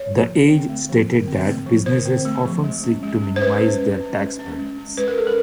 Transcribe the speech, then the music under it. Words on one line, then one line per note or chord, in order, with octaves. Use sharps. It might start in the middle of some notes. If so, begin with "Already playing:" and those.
The Edge stated that businesses often seek to minimise their tax burdens.
Already playing: C#5
F3
D3
C4
A3
F3
D3
C4
A3
F3
D3 C5
C4
A3
F3
G#3
C#4
G#3
C#4
C5
G#3 B4
C#4
G#3
C#4
G#3
C#4
G#3
C#4
G#3 B4
A#4
C#4 A4
A#4